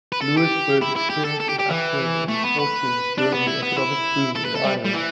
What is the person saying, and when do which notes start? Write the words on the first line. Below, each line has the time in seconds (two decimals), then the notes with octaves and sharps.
Louisburgh experienced an upturn in its fortunes during the economic boom in Ireland.
0.12 B4
0.21 A4
0.37 G4
0.81 E4
0.96 E4
1.10 G4
1.25 A4
1.40 A4
1.49 G4
1.59 G4
1.70 E3
2.28 A3
2.43 B3
2.59 B4
3.18 D4
3.32 B3
3.47 E4
3.62 B3
3.77 E4
4.36 A4
4.45 B4
4.56 A4
4.65 G3
4.86 G3
4.94 E3